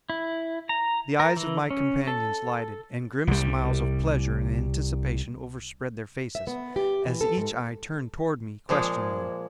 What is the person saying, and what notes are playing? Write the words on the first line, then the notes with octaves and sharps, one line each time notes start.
The eyes of my companions lighted, and grim smiles of pleasure and anticipation overspread their faces, as each eye turned toward me questioningly.
E4
A#5
A#4
E3
C#4
A4
C2 G3
E5
B3
G4
E3
A4
G#2
A#2 F3 G#3